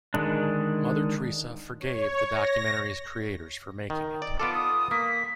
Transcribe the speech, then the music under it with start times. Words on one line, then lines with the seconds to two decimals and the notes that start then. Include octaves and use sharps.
Mother Teresa "forgave" the documentary's creators for making it.
0.14 D3 D#3 G#3 D4
1.80 C#5
2.30 A#6
3.90 D#3
4.22 D5
4.40 B3 F4 A4 D6
4.54 D#6
4.91 A#3 B6